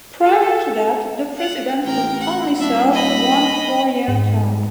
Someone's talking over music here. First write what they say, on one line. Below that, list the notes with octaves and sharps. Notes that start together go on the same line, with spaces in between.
Prior to that, the president could only serve one four-year term.
A4
F#5
A1 A#4 G5
F#5
D#1 D4 E5
D#5 B5
G#2